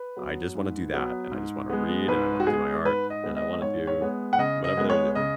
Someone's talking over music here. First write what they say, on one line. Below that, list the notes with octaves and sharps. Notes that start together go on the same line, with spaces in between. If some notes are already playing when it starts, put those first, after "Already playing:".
I just wanna do that, and I just wanna read, and I wanna do my art, and I wanna do whatever they're doing.
Already playing: B4
F#3 B3
G#2
F#3 B3
G#2
G#3 B3
G#2 B4
F#4
G#3 B3 G#4
G#2 B4
D#5
G#3 B3
D#5
G#2 C#5
C#5
G#3 B3
F#5
C#3 D#5
D#5
G#3 B3
C#5
C#3 D#5